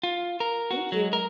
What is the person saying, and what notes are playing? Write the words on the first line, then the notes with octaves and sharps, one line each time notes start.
Thank you.
F4
A#4
F#4
F#3
A#4